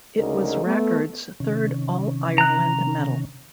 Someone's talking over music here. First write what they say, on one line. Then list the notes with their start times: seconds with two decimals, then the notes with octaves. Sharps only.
It was Rackard's third All-Ireland medal.
0.19 D2 C#3 G#3 D#4 A#4 D#5
0.65 A3 B3
1.40 C3 D#3 C#4
2.38 A#5 F#6